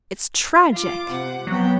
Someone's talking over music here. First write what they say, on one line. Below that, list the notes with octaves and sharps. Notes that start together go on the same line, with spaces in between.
It's tragic.
F4 D6
C3 F#5
F#3 B3 G5